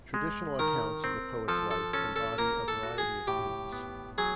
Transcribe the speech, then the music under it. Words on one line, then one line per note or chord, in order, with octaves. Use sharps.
Traditional accounts of the poet's life embody a variety of themes.
G#3
D#3 A#4
C4
F3 A4
A4
C#4 A4
A4
A#3 A#4
A4
F#4
G#4
A2 G4
B3
F#3 G#4